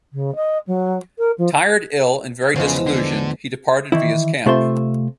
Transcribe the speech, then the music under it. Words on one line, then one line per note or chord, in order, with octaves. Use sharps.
Tired, ill, and very disillusioned, he departed Villa's camp.
C#3
D#5
F#3
A#4
F3
E2 C#3 F3 G#3
D3
D#3 E3 E4
C3 A3 F4 C5 E5 C6